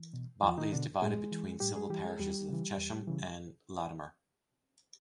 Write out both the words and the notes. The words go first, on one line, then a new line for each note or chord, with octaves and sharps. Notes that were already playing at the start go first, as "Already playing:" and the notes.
Botley is divided between the civil parishes of Chesham and Latimer.
Already playing: E3
B2
E2 F3 F4
D#3 D#4
B2 D3 D4
A2 G#3 G#4
E3
A2 G3 G4
G#3 G#4
E3 G3 G4
G#3 G#4
E2 G3 G4
C#3 E3
E2
C#3 E3